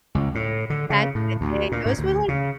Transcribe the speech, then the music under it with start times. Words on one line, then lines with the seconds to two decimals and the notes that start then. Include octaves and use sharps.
back in the day, those were like
0.15 C#2
0.35 A2
0.70 D3
0.90 C#3
1.15 A2
1.41 D2
1.72 A#2
1.86 G#2
1.99 D2
2.28 C#3